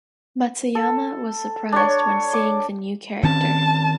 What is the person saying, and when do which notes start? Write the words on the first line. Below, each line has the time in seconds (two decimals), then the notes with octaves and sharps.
Matsuyama was surprised when seeing the new character.
0.75 A4
1.72 D4 C#5
2.33 D6
3.23 D#3 C4 C#4 A5